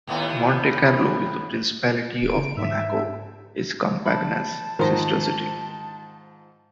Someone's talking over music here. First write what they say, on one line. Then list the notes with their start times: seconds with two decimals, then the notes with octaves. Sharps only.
Monte Carlo in the Principality of Monaco is Campagna's sister city.
0.07 D#2 A2 B3
2.22 D1 D7
2.36 C#3
2.57 G#2 E5
4.05 A5 B5
4.79 G#2 D#3 F3 A#4 C5 A#5